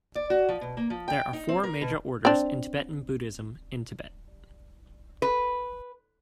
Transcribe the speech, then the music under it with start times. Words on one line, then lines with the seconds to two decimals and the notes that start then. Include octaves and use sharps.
There are four major orders in Tibetan Buddhism in Tibet.
0.15 D5
0.30 F#4
0.49 F3
0.61 B2
0.77 A#3
0.90 F3
1.08 G5
1.33 D#4
1.49 C4
1.63 A#4
1.81 B2
2.25 C4 D4
5.22 B4